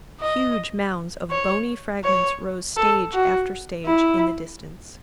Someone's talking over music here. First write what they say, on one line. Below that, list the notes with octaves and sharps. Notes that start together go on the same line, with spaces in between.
Huge mounds of bony fragments rose stage after stage in the distance.
D#5
C#5
C#5
A4
F#4
E4